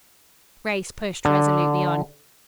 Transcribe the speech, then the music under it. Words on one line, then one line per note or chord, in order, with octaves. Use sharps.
Grace pushed resolutely on.
D3